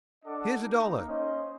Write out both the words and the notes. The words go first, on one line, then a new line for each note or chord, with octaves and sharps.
Here's a dollar.
D4 A4 D#5 F#5 D6
A#3 D#4
C#4 C5 D#5